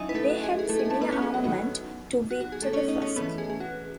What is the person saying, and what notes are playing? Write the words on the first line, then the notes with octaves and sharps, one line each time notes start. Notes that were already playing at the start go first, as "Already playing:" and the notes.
They had similar armament to "Victor the First".
Already playing: F#3 C#4 D#4 E4 D#5 E5 G#5
B4
A3 A4
F#4
G#4
G#4
A3 A4
G#4
A3 A4
B3 B4
C#4 C#5
G#4
F#4
D#3 F#3 B3 D#4 F#4
F#4
F#4
G#4
A3 A4
C#4 C#5
D#4 D#5
C#4 C#5
E3 A3 B3 C#4 B4
G#4
G#4
F#4